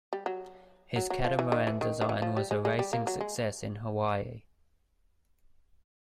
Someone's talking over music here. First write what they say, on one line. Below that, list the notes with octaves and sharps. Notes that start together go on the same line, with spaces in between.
His catamaran design was a racing success in Hawaii.
G3
F#3
F#3
F#3
F3
E3
D#3
E3
D#3
D#3
E3
F3
G3
G#3
G#3
G3
A#3
F#3
G#3